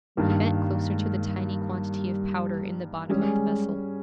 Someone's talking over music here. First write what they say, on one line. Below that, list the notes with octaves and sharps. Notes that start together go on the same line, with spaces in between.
He bent closer to the tiny quantity of powder in the bottom of the vessel.
G2 D#3 G3 A#3
G#3
G3
G3 G#3 C#4 G#4